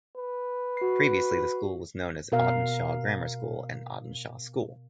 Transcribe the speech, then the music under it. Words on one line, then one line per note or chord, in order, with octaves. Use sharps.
Previously the school was known as Audenshaw Grammar School and Audenshaw School.
B4
F#4 C7
B2 A#4 F5